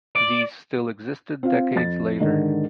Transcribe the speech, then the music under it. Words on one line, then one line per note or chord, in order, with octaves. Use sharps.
These still existed decades later.
D5
C4 F4 F5
F2 A6
G#2 D3 D#3